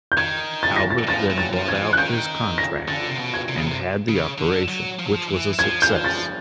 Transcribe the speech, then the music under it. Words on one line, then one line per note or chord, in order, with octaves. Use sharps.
Albert then bought out his contract and had the operation, which was a success.
G6
D#3 G#6
A6
A#6
A6
F3 A6
F#3
A6
F3
G#6
E3
F#6
D#3 G6
A#6
D3 A6
C3
B2
G#6
C3
C#3
C3
C#3
D3
F#3
F3
F#3
F3
E3
F3 G#6
G6
A6